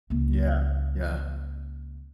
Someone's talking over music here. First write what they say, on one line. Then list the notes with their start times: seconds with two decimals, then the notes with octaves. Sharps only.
Yeah, yeah.
0.10 C#2 A#3